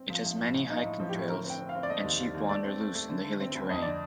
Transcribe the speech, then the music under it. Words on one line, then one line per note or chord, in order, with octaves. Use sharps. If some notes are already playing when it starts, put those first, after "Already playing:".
It has many hiking trails, and sheep wander loose in the hilly terrain.
Already playing: C4
F3
A#1
A2
A#1
F3 D#4
A2
F3
G4
A2
D3 A#4
C4
G5
C4
F5
C4
D5
A3 D#5
D#2
D#2
D#2
A3 D5
C4
A3
A3
D3
D3
C4
D2
F2 D#5
D3 D5